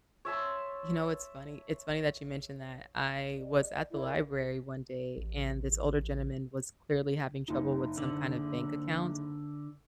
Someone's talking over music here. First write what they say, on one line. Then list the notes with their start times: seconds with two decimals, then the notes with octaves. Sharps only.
You know, it's funny it's funny that you mentioned that. I was at the library one day and this older gentleman was clearly having trouble with some kinda bank account
0.25 C#5 E5 A5 C6
3.37 D5 D#5
3.91 E4 A4 A#4 D5
5.17 A1
7.48 F#1 D#4
7.97 D3